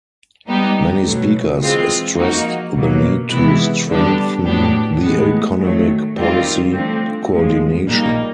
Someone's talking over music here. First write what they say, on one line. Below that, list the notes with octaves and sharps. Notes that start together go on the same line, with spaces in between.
Many speakers stressed the need to strengthen the economic policy co-ordination.
G3 B3 D#4 G4
B2 F#3 A3
E3 G#3 C4 F4
F3 A#3 D#4 F#4
B2 F#3 A#3
C3 E3 G#3 B3 E4
D3 G3 B3 D4 G4
A2 F#3 B3 D4 G4
A2 E3 G#3 B3
D#3 F#3 A3
D#3 G3 C4 F4
D3 F3 A3 C4
A2 F3 G#3
A#2 G3 A#3 D#4